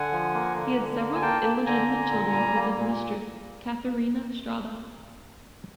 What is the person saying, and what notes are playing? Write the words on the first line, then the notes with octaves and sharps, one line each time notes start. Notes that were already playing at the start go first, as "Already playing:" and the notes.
He had several illegitimate children with his mistress Catherina Strada.
Already playing: D3 F#5 G#5
F3
A#3
D3
D3
A#3
G#5
A#3 G5 A5
A#3
D3 G#5 A#5
D3
A#2
G3
A#3
A#2